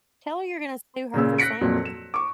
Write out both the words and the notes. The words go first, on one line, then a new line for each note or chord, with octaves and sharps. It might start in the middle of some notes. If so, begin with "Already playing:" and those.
Tell her you're gonna sue her for slander.
A#2 C#3 E6
F#6 A#6 B6 C#7 D7
F2 A#2 F#3
E7
C#6 D6